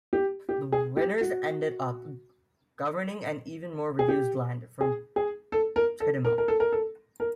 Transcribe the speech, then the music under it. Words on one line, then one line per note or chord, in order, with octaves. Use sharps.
The "winners" ended up governing an even more reduced land from Chidima.
G4
G4
G#4
G4
F#4
G#4
G4
G#4
G#4
A4
A#4
A4
A#4
A#4
A4
A#4
A4
A#4